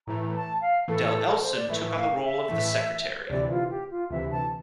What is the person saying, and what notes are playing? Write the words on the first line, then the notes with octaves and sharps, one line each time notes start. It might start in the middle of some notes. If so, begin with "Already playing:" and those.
Del Elson took on the role of the Secretary.
A2 E3 A3 A#5
A5
F5
A2 E3 A3 A4
A#4
C5
D5
A2 E3 A3 E5
F5
E5
A2 E3 A3
C5
D2 C3 E3 D5
F4
G4
F4
D2 C3 E3 E5
A5